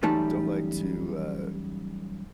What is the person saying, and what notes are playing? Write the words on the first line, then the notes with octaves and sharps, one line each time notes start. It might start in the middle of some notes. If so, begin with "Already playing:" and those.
don't like to, uh,
F#2 E3 G3 A3 D#4 A5